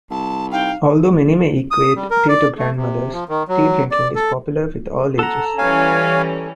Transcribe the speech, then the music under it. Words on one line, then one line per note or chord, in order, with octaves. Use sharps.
Although many may equate tea to grandmothers, tea drinking is popular with all ages.
C2 A5
D#4 F5 G5
D#6
G3
A#4
D5
A3
C3
F3
D#3
F#3
D5
A4
A4 F#5 A#5
E3 G3 C#4 C#5 F5 G#5